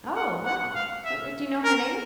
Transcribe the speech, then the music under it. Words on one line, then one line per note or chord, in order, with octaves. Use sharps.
Oh, wow. Her do you know her name?
F#5
F#5
F5
E5
A#4